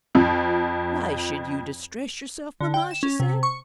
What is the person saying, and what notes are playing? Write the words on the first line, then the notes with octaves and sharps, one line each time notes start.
'Why should you distress yourself, mamma?' she said.
F2 F3
D3
G5
E7
C#4
C3
C#6